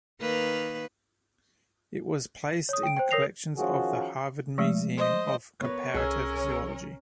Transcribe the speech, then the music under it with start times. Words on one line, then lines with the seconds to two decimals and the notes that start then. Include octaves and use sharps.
It was placed in the collections of the Harvard Museum of Comparative Zoology.
0.21 D#3 A#3 B4
2.69 C#5 D#6
2.83 G5 D7
2.96 C5 G5
3.11 A#4 C#5 D#6 A#6 C7 F7
3.57 D#3 F3 C#4 F4 F#4 G#4
4.58 F3 G#3 A3
4.98 C5 D#5
5.61 B3 A#4 B4 C#5
5.94 C2 C#4 G#4 A#4 E6